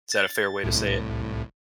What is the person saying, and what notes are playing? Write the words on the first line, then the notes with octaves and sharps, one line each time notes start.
Is that a fair way to say it?
A6
C2 A2